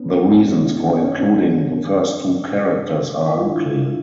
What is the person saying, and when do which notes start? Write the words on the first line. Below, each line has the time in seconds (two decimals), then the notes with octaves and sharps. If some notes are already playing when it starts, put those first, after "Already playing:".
The reasons for including the first two characters are unclear.
Already playing: B3 C#4
0.09 C4 D4
0.24 C#4 D#4
0.40 C#4 D#4
0.65 D4 E4
0.88 C#4 D#4
1.04 B3 C#4
1.20 C4 D4
2.26 C#4
2.32 C4 D4
3.29 E4
3.38 F4
3.44 D4 E4